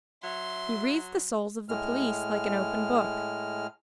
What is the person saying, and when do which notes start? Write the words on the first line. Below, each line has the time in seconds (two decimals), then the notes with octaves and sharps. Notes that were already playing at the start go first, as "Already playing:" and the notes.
He reads the souls of the police like an open book.
0.23 F#3 E5 C6
1.69 A2 G#3 F6